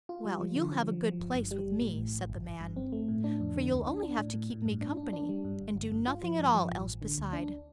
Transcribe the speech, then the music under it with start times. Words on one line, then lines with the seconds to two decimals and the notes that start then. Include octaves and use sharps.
"Well, you'll have a good place with me," said the man; "for you'll only have to keep me company, and do nothing at all else beside."
0.09 F4
0.25 G3
0.40 F3
0.56 D3
0.72 F3
0.88 F3
1.03 F3
1.20 G1
1.35 G2
1.51 G3
1.66 G1
1.82 A2
1.98 A1
2.13 A1
2.30 G1
2.45 G1
2.61 G2
2.76 C4
2.92 A3
3.08 A2
3.24 D4
3.40 F2
3.56 D3
3.71 D2
3.87 D4
4.03 D4
4.18 A2
4.34 A2
4.50 A2
4.66 G2
4.81 D4
4.97 D4
5.13 D4
5.29 G3
5.44 G2
5.60 G1
5.76 G1
5.92 G2
6.07 F4
6.23 F3
6.39 G2
6.54 F3
6.70 A1
6.86 A1
7.02 D3
7.18 D2
7.33 D4